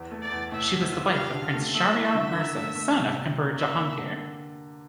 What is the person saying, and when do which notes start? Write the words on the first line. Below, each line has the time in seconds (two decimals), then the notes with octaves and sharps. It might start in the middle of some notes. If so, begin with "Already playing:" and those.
She was the wife of Prince Shahryar Mirza son of Emperor Jahangir.
Already playing: E2
0.11 A3
0.22 D5
0.31 E2
0.52 A2 E5
0.73 A2
0.92 F4
1.13 G4 F5
1.33 D3
1.54 A3
1.74 A3 E5
1.95 E4
2.05 E5
2.14 D3
2.35 A#4
2.55 A3
2.75 A3
2.95 C3
3.16 C3
3.37 A#3
3.56 A#3 E5
3.77 A#3
3.97 D3